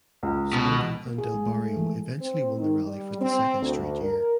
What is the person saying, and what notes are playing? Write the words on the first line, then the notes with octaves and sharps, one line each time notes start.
Sordo and del Barrio eventually won the rally for the second straight year.
C#2
B2
A#3
G#4
G#3
A3
A4
E3
C4
D#3
G3
C4
D2
A#4